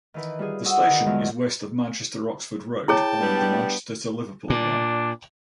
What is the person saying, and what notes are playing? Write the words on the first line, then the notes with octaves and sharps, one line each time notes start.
The station is west of Manchester Oxford Road on the Manchester to Liverpool Line.
D#3 E3 B4
G3 F4 G#4
F#4 G#4 F#5 D#6 E6
D#3 B4
E2 D3 E3 F#3 G#3 F4
E4 G#4 C#5 G5 A5
G3 B3 D4
A#2 D4